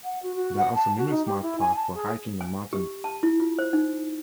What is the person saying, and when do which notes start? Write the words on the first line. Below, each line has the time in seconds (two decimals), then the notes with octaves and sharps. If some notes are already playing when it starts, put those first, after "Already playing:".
There are also numerous marked paths for hiking and mountain biking.
0.04 F#5
0.23 F#4
0.35 F#4
0.57 F#5
0.75 A5
0.98 F#4
1.10 D#4
1.26 G4
1.42 E4
1.60 G#5
1.76 A5
1.95 G#4
2.41 G#5
2.73 G4
3.04 A5
3.23 E4
3.40 F4
3.59 C5
3.73 D#4